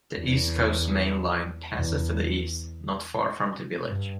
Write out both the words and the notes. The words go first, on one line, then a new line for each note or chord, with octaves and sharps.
The East Coast Main Line passes to the east, not far from the village.
E2
E2
G2